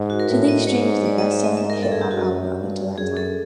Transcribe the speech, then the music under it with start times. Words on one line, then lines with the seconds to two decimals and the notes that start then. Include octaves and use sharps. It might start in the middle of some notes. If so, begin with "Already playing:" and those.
"To the Extreme" was the best selling hip hop album up until that time.
Already playing: G#2
0.10 F#4
0.20 A#4
0.28 A2 B4
0.48 D#5
0.67 G#2 C#5
1.06 D5
1.18 D#5
1.31 E5
1.44 D#5
1.57 E5
1.70 A#4
1.82 G2 A4
1.92 G#4
2.01 G4
2.11 F#4
2.21 F#2
2.59 G2
2.97 F#2 G#4
3.17 A4